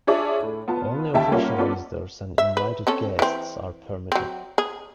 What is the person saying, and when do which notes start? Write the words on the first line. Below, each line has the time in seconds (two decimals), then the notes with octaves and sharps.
Only official visitors and invited guests are permitted.
0.07 D4 F4 G#4 C#5 D5 E5
0.42 A2
0.68 B3 F4 A5
1.14 D#2 C#3 G4 E5 G5 A5
1.31 G3 A#3 C#4 F4 F#4
1.58 B3 C#4 F4 A4 D5
2.38 E5
2.57 B4
2.87 C4 C#4 A4
3.19 E3 C4
4.12 F#3 C4
4.58 G#4